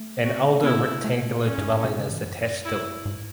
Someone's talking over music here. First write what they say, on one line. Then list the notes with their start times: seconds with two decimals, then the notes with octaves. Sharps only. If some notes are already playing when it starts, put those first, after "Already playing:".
An older rectangular dwelling is attached to it.
Already playing: A3
0.24 F#4
0.63 B3 E4
0.78 A3
1.04 A3
1.44 C#4
1.58 G#2
1.71 A2
1.84 B2
1.97 C#3
2.11 E3
2.24 F#2
2.65 E4
3.05 G#2